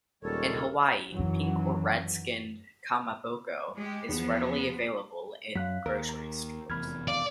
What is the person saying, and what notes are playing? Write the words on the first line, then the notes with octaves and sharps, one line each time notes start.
In Hawaii, pink or red-skinned "kamaboko" is readily available in grocery stores.
D#1 G3 G#3 A4 A#4 C#5
F#2 D#3 E3 F#3
G#3 G4
E2 F3 B3
F#2 F5 F#6 B6
D#2 A#4
A#5
F1 E2 B5 F6 G#6
D5 F5